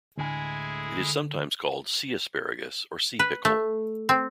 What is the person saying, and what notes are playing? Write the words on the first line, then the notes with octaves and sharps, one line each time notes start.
It is sometimes called sea asparagus or sea pickle.
D2 A2 D3 G#3 E4 G#4 G#5
B4
A3
C4